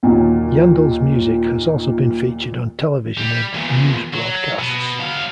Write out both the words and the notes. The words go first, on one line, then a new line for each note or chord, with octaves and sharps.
Yandall's music has also been featured on television and news broadcasts.
D#2 A#2 D#3 F#3 C#4
G3
E2 A#2
F#3
B2
F#3 F5